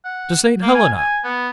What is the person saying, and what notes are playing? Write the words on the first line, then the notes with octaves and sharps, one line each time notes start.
"To Saint Helena."
F#5
A#3
G#5
G#5
B3